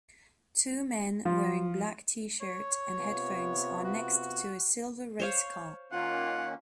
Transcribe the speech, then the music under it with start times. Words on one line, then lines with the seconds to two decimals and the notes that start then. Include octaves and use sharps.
Two men wearing black tshirt and headphones are next to a silver race car.
1.25 F3
2.41 C#5
2.99 C3 B3 F4
3.85 F#4
5.20 C5 C#5 F5
5.92 D#3 A#3 C#4 F4 F#5